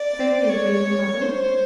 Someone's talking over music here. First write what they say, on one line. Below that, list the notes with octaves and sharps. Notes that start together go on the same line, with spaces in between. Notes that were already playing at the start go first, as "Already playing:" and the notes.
"Very agreeable, madam."
Already playing: D5
C#5
C5